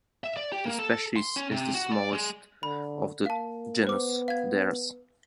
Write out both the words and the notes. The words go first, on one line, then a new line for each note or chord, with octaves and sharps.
The species is the smallest of the genus "Dares".
E5
D5
G4
A#3
A4
C6
C#4
C3
F#4
D5
G#3
D3 B5
A#3 F5 A5
B3 C5 D6
F5 G#6